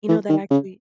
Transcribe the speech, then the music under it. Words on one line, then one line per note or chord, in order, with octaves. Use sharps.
you know, that actually
E3
D#3
C#3